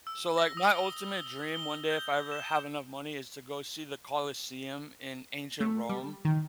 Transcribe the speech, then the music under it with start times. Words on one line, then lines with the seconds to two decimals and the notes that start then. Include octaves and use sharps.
So, like my ultimate dream one day, if I ever have enough money is to go see the Colosseum in ancient Rome.
0.07 E6
0.38 A#6
0.57 D#6
0.75 G7
1.54 G7
1.90 G6
2.32 E7
5.60 A3
5.90 G3
6.25 D#3